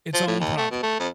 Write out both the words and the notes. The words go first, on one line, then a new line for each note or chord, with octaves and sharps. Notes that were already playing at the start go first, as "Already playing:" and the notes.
its own problem.
F3
A2
D#2
A3
B2
A3
F2